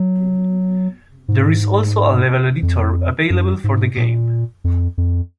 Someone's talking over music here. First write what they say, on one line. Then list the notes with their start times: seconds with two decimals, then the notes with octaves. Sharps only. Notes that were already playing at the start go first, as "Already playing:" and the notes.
There is also a level editor available for the game.
Already playing: F#3
1.28 G#2
2.63 F2
3.30 F#2
3.64 G#2
3.97 A#2
4.64 F2
4.98 F2